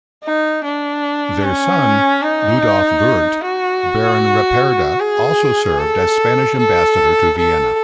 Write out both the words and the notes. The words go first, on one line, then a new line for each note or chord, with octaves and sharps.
Their son, Ludolph Luirdt, Baron Ripperda also served as Spanish ambassador to Vienna.
D#4
D4
C#4
D#4
F#4
G#4
A4
A4
A4